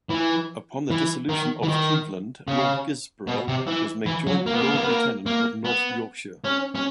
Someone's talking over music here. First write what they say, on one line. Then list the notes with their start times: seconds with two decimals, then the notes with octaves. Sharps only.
Upon the dissolution of Cleveland, Lord Gisborough was made joint lord-lieutenant of North Yorkshire.
0.10 E3
0.90 E3
1.29 D#3
1.63 E3
1.69 D#3
2.48 C#3
3.28 B2
3.48 C3
3.67 E3
4.06 E3
4.27 F#3
4.46 A#3
4.54 B3
4.61 A#3
4.68 B3
4.76 A#3
4.82 B3
4.89 A#3
5.26 A#3
5.65 B3
6.44 C#4
6.75 C#4